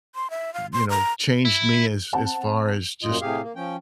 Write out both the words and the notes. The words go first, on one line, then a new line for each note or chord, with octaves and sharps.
you know, changed me as as far as just
C6
E5
F5
C6
A#5
E4
C4 F#5 A5
F#2 A#2 F4 D#5
A2 C3 G4 G#4 F5
A#3
F3 C#4 G5